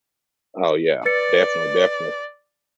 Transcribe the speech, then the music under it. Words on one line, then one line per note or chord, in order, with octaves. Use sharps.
Oh, yeah, defin definitely.
B4 D5 A6 C#7